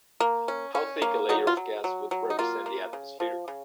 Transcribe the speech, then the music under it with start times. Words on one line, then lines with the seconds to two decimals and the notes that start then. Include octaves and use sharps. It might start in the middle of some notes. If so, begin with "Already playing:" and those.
How thick a layer of gas would represent the atmosphere?
0.20 A#3
0.48 C#4
0.75 C#4
1.02 A#3
1.29 F#3 D#4
1.47 F4
1.57 F#3
1.84 F#3
2.11 F#3
2.30 D#4
2.39 A#3 F4
2.66 A#3
2.93 C#3
3.20 F3
3.48 C#3